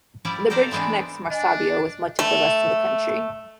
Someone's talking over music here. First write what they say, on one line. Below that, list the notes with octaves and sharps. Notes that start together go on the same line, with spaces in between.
The bridge connects Maracaibo with much of the rest of the country.
F3 G3 E4 D5
G4 A4 A#4 C5 D5 F5
E3 G#3 B3 C4 D4
D4 D#5 G#5
A3